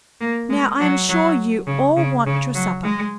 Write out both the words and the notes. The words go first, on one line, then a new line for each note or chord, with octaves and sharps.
"Now I am sure you all want your supper."
A#3
G#3
F#3
F#3
C#3
C#3
C#3
F#3
G#3